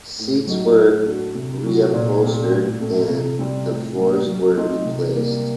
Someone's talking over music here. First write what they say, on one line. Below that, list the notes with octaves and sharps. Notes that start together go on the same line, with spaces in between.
Seats were reupholstered, and the floors were replaced.
A2
F#3 A3 D#4
A2
A3 D4 F#4 A4
C3
F#3 C4 F#4
A#2
A3 C4 G4
A2
A3 C4
C3
G3 C4
A2
G3 A#3
F#3
A3 C4 D#4 A4
C3
G3 A#3